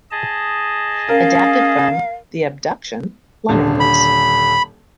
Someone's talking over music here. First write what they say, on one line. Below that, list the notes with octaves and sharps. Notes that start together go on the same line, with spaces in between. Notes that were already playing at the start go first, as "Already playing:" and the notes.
Adapted from the "Abduction" liner notes.
G#4 D#5 A5
C#4 A#4 F5
D#1 D3
B5